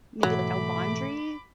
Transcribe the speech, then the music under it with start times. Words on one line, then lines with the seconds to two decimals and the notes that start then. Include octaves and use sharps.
maybe, like, a laundry
0.23 G#2 B2 E3 F#3 A3 B5 D6